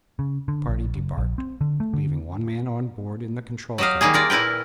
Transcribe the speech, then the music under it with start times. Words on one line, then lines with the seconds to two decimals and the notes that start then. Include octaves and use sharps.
The party debarked, leaving one man on board in the control cabin.
0.19 C#3
0.48 D3
0.67 A#1
0.95 F#1
1.18 A#1
1.38 C4
1.61 D3
1.80 A3
1.93 D3
3.78 F#3 G4 D#5 F5
4.01 D#3 G3 A#3 G#4
4.14 F4 A#4 D5
4.30 A#2 E4 A#4 B4 G5